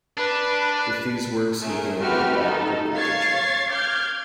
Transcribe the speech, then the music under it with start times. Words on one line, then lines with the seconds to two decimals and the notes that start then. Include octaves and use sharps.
With these works he gained a wide critical attention.
0.18 D4 B4
1.63 A3 C#4 G#4 A#4
1.99 A3 C4 F#4 G4 B4 F6
2.39 D#4 A4
2.96 C#5 F5 C#6 G#6 A6 C7
3.69 D6 F6 G6 G#6